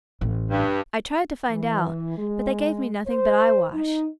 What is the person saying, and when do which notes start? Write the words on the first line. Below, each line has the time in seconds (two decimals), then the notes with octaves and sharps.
I tried to find out, but they gave me nothing but eyewash.
0.21 A1
0.50 G2
1.49 E3
2.17 G#3
3.07 C5
3.73 D#4